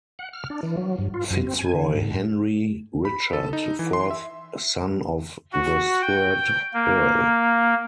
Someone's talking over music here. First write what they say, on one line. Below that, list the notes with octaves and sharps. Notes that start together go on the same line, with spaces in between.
FitzRoy Henry Richard, fourth son of the third Earl.
F#5
F6
D4
E3
F#3
G2
F4
F#2
C4
G#5
D3
G#2
B5
A4
D#4
E3
C6
E5
F#4
G5
A#3